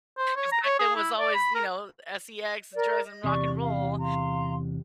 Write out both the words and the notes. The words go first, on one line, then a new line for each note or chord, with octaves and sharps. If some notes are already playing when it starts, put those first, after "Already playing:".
'Cause back then was always, you know, S-E-X, drugs, and rock and roll,
C5
C#5
A#5
C#5
G#4
E4
D5
B5
A#4
A#4 D5
D#5
E2 C3 D5 C#6
F5
F5 A#5 C6